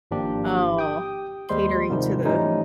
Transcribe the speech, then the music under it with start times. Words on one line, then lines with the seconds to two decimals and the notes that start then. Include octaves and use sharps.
Oh, catering to the
0.11 G#1 F3 A#3 D4 G4
0.77 G4 G5 D#6
1.49 D#2 G3 G#3 C5 C6
1.90 G#2 C3 D#3 F3 G3
2.25 E3 F3 G3 A3 C#4 D#4